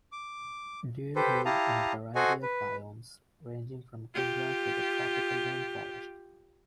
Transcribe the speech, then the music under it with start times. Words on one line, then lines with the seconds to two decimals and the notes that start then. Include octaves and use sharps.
Deer live in a variety of biomes, ranging from tundra to the tropical rainforest.
0.12 D6
1.16 G4 A4 B4 C5
1.45 E4 G4 F5 A5 A#5 D#6
2.15 F#4 A4 C5 D#5 F#5 G#5
2.42 B4
4.14 F4 G4